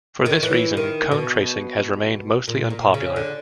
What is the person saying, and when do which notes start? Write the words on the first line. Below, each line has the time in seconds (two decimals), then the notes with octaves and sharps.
For this reason, cone tracing has remained mostly unpopular.
0.26 D#3
0.43 E3
0.77 D#3
1.12 B2
2.48 A#2
2.70 A#2
2.94 C#3
3.16 D3